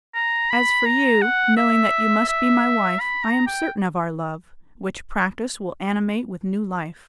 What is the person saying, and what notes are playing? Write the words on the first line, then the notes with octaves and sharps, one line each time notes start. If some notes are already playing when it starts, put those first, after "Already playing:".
As for you, knowing that you must be my wife, I am certain of our love, which practice will animate with new life.
A#5
B5
A#5
F#5
E5
E5
B5
A#5
G5